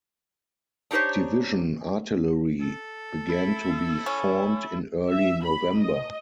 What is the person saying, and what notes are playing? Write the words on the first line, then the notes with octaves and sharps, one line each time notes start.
Division artillery began to be formed in early November.
D4 D#4 G4 A#4 C5 C#5
A4
E4
C#4
E5
B5
D#5